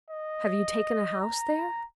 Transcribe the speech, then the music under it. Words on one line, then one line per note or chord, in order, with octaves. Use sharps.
Have you taken a house there?'
D#5
A#5